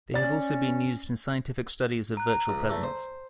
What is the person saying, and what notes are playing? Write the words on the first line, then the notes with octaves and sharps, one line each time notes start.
They have also been used in scientific studies of virtual presence.
C#4 D5 A6
A#5 F#6
A#5
C#2
E2 A3
C5